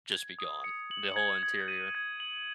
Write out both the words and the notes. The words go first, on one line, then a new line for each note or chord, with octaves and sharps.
just be gone, the whole interior.
G#6
D#6
C#7
F#7
G#6
G#6
D#7
G#6
F#7